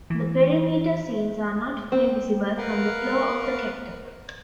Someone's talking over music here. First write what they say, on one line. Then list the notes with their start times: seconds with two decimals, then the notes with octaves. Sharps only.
The perimeter scenes are not fully visible from the floor of the Capitol.
0.10 E3
1.92 C4
2.57 A#4 B4 F5 F#5